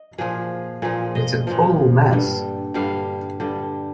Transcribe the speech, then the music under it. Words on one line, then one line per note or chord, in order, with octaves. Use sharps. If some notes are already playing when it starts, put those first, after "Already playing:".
It's a total mess.
Already playing: D#5
A#2 F3 G#4
A#2 F3 G#4
D#5
A#2 F3
G2 D3 G3
G2 D3 G3 F5
G2 D3 G3